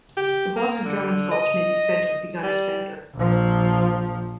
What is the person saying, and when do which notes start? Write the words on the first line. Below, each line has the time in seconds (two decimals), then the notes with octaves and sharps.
The boss of Drummond's Gulch may be said to have begun his bender.
0.17 G4
0.56 A#3
0.85 D3
1.31 D#5
2.43 G3
3.14 A#1 F3